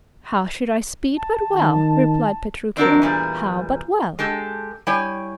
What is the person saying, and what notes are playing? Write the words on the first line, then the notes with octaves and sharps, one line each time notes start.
"How should I speed but well," replied Petruchio--"how, but well?"
A5
D#3
C4 D4 F#4 A#4
E2 A#2 G3 G#4
G#3 G4 A4
G3 E4 C#5 G5 G#5